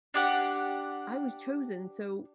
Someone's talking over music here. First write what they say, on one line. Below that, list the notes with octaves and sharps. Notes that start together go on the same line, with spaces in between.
I was chosen, so,
D4 G4 F#5